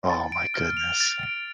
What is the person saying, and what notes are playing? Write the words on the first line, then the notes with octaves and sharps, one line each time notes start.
Oh my goodness.
A6
D7
F6
F7
A6
D7